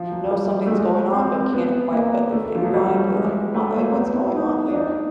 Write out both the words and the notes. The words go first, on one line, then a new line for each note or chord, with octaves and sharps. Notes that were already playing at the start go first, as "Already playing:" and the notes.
knows something's going on but can't quite put their finger on it, but, like, why like, what's going on here?
Already playing: F3
F#3
G3
A3
G#3
C4
B3
A#3
A3
F3
F#3
G3
G#3
A3
A#3
C4
B3
E4
D#4
D4
D#4